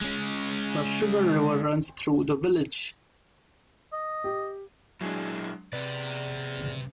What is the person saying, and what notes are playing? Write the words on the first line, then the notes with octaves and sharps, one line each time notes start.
The Sugar River runs through the village.
G#3 C#4
D#5
G4
A#2 F#3 G#3 D4 E4 G#4
C3 G#4 B4 D5